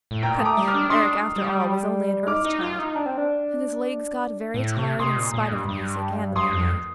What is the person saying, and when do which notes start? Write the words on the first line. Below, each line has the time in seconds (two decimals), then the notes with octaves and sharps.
But Eric, after all, was only an Earth Child, and his legs got very tired in spite of the music and the moonlight.
0.11 A2
0.22 A#2 G5 A#5
0.39 A3 D#6
0.45 A#5 D6
0.57 G3
0.68 D6 F6
0.74 D4
0.90 D4 C6 D#6
1.36 G3
2.27 D#4 D6 F6
2.45 D#4
2.61 F4
2.79 D#4
2.95 D4
3.06 C4
3.18 D4
4.54 A2
4.77 C3
4.99 C3 C6 D#6
5.16 A#2
5.34 A#2
5.51 G2
5.68 G2
6.36 G2 C6 D#6
6.53 F2